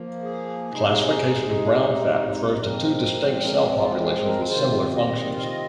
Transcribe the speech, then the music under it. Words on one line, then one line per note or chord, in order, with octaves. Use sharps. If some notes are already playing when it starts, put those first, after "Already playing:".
Classification of brown fat refers to two distinct cell populations with similar functions.
Already playing: F3 A#3
G#4
C3 G#3 D#4
F3 G#3 C4 A#4
A#4
G#4
F4
G#4
A#4
C3 D#3 C4 F4 C5
D#5
F5
D#5